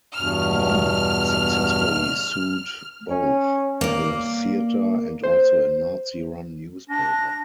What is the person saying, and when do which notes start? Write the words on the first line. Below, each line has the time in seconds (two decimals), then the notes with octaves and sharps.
Mann successfully sued both the theatre and also a Nazi run newspaper.
0.17 E2 G2 B2 F6
3.11 C#4
3.81 A#3 D5
5.24 C5
6.90 D4 A#6